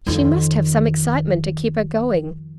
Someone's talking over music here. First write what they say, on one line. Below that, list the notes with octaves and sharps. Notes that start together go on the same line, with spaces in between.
She must have some excitement to keep her going.
F2 D#3